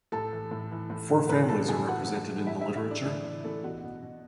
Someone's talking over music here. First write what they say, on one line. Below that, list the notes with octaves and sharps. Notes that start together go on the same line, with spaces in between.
Four families are represented in the literature.
A2 A4 A5
E3
A2
E3
A2
E3
A2 B4 B5
E3 A4 A5
A2 G#4 G#5
E3 F#4 F#5
A2
E3
A2 E4 E5
E3 E4 E5
E4 E5
A2 D4 D5
E3 D4 D5
A2
E3 A3 A4
B2 F#4
B2
B2